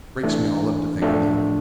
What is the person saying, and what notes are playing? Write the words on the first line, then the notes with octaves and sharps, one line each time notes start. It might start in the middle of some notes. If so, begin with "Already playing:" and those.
It breaks me all up to think about it.
E3 A3 D4
A2 F3 A3 D4